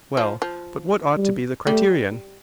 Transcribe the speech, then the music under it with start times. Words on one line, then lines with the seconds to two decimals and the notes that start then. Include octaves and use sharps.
Well, but what ought to be the criterion?
0.17 F3
0.42 F3
1.18 G3
1.66 G3 A3